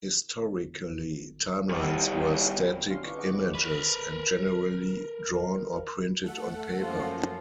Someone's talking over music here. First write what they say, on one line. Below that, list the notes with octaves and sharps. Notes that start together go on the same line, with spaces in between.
Historically, timelines were static images, and generally drawn or printed on paper.
B2 G3
C#4 D4 F5 C6
E4 F4 G#4 B4 C#6 D6
D#5 F#5 D6
F#4 G#4 B4 C#5
A#4 B4
A3 A4 F#5
F#2 F3 A#3 F4 C5